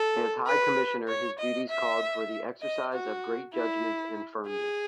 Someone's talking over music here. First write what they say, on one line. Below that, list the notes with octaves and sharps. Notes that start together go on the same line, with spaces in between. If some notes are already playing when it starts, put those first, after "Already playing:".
As High Commissioner his duties called for the exercise of great judgment and firmness.
Already playing: A4
B4
C#5
D#5
E5
D#5
F#4
E4
G#4